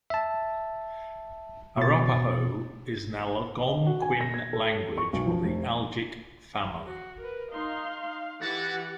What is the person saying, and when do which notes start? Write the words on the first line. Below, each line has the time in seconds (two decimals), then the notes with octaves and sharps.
Arapaho is an Algonquian language of the Algic family.
0.10 E5 A5
1.77 B2 A6
3.68 D#5
3.87 F#4
4.02 G#5
4.21 A#6
4.34 G#6
4.53 A4
4.98 C#6
5.13 B1
5.26 F3
5.44 F1
6.86 F#4
7.21 A#4 B4
7.53 D#4 F5 C6
8.42 E3 E4 F#4 G4 F#5 A6